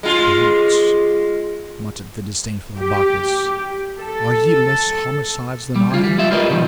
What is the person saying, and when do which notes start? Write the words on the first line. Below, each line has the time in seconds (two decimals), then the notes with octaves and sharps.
'Brutes!' muttered the disdainful Arbaces are ye less homicides than I am?
0.03 G#3 F4
2.77 G4
3.99 A4
5.76 G3
5.91 D2 F4
6.04 G3
6.18 G#3 F4 E5
6.31 F4 G4 A#4 B4 D5 D#5
6.50 B2 D#3 F3